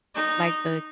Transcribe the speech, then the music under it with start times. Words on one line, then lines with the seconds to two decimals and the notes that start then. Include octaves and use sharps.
like, the
0.15 D#4